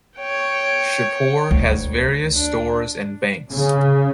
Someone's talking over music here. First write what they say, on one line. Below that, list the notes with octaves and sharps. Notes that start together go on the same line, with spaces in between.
Shahpur has various stores and banks.
C#5 G5
D2
D4
C#3